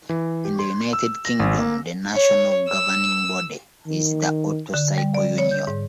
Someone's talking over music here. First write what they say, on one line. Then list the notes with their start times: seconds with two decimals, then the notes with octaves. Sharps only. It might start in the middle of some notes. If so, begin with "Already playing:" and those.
In the United Kingdom, the national governing body is the Auto-Cycle Union.
0.09 E3
0.45 G4
0.59 C6
0.93 E6
1.25 A#6
1.40 G#1
1.58 A#3
2.13 C#5
2.68 E6
3.87 D#3
4.74 D3
4.98 G3
5.14 D5
5.38 C#5
5.51 G6
5.67 G#2